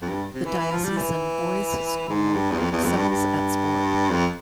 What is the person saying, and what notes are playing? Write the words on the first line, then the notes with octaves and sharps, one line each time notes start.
The Diocesan Boys' School excels at sport.
F2
G2
C3
E3
E3
F3
G3
E3
G#2
G2
E2
F2
E2
F2
G2
G2
F2